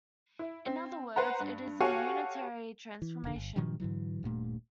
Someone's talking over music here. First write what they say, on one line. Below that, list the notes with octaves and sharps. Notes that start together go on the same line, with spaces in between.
In other words, it is a unitary transformation.
E4
C4
B4 C5 F#5 A#5
G2
F#4 G4 A4 C#5 F5 G#5
E3
E1 D3
G1
G2 A#2 D#3 F3
G#2 D3 E3 F#3
D#1 G2 A#2 A3